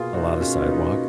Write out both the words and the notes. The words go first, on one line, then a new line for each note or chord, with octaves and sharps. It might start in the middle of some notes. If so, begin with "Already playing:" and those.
a lot of sidewalk.
Already playing: B2 A#3 F4 G#4
D#4 F#4
B2 A#3 C#4 F4
B3 D#4
D#4
C#4